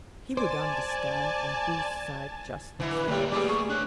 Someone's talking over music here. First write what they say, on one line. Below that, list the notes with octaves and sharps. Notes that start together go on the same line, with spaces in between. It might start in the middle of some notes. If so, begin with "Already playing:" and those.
He would understand on whose side justice lies.
C5 D5 G#5 A5
D3 E3 E4
B4
A2 G3 A3 A#3
G3 G#4 D6
G#4 C#6
D4 C#5 F#6